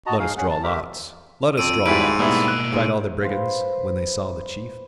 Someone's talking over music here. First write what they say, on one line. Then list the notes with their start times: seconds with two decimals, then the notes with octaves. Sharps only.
'Let us draw lots! let us draw lots!' cried all the brigands, when they saw the chief.
0.06 F#4 D#5 A5 A#5
0.19 D#4 G#4 F5
0.37 C#4 G#4 F#5
0.50 A5
0.63 G4 A#4 E5
1.57 F2 E6 D7 D#7
1.86 G#2 G3 E4 F#4 B4 D7
2.19 B2 G3 A#3 B3 E4
2.48 F#6
2.72 G#2
3.22 B4 C5 F5